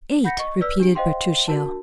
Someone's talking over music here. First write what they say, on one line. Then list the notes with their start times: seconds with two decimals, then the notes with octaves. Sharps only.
"Eight!" repeated Bertuccio.
0.24 F#5 B5 G6 A#6 B6 C#7
0.38 D#5 C#6
0.61 B4 D5 E6 F6 B6
0.80 D4 G4 D7
0.95 C5 D#5 F5 G5 C6
1.48 D4 F#4 A#4 A5